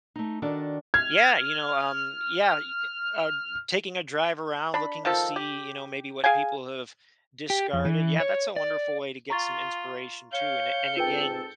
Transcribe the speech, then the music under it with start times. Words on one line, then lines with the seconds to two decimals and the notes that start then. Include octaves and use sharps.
Yeah, you know, um, yeah, you could, uh, taking a drive around looking to see, you know, maybe what people have discarded. Yeah, that's a wonderful way to get some inspiration too, and a and again,
0.16 A3 D#4
0.42 D#3 D4 F#4 A4 D5
0.94 F6 G#6
4.74 D4 B5
5.05 D#3 F3 A4
5.36 G4
6.24 G#4 F5 G5 G#5
7.50 G4
7.73 F2
7.85 E3
8.20 C#5
8.56 D5
9.30 F4 A#5 C#6 A6
10.32 C#5 F5 G6 C#7
10.97 G#2 C4 F4 A4 B4 G5